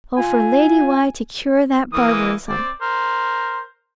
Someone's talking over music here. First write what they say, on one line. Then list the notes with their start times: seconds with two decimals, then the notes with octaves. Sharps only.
Oh for Lady Why to cure that barbarism!
0.18 F4 G#5
1.93 E3 A#3 D#6
2.49 C4 D5
2.82 A#4 C5